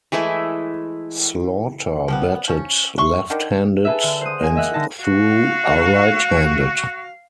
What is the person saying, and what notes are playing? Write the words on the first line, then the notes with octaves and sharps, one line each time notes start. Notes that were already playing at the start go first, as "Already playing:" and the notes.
Slaughter batted left-handed and threw right-handed.
E3 G#3 A3 E4
F3 G3 B3
F3 C#4
E5 C6 C#6
D3 D#3 D4
G#4 A4 B4 E5
D3
C5 F#5 D#6
G#3 A#3 G#5
D#5 E5 F#5
D3 D#4 A5 A#6
F#4 F5